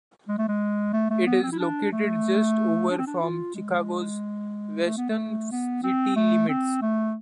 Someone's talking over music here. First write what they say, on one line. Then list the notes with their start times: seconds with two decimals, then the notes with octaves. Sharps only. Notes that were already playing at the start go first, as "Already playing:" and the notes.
It is located just over from Chicago's western city limits.
0.28 G#3
0.38 A3
0.49 G#3
0.93 A3
1.10 A3
1.27 B3
1.43 C4
1.52 E4
1.59 D4
1.92 A3
2.90 D4
2.98 C4
3.07 D4
3.23 F4
3.55 G#3
4.85 A3
4.97 B3
5.10 A3
5.52 B3
5.83 C4
6.16 A3
6.49 C4
6.82 A3